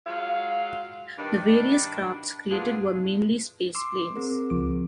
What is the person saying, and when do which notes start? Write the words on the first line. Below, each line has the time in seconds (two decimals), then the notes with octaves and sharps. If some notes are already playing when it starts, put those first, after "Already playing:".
The various crafts created were mainly spaceplanes.
0.07 F#3 G#3 F4 F5
1.19 G2 D#3 D4
2.51 A#2 G#3 B3 D4 F4 G#4
3.75 C6 D6 E6
4.16 C4 G#4 A#4
4.50 C#2 F3 D6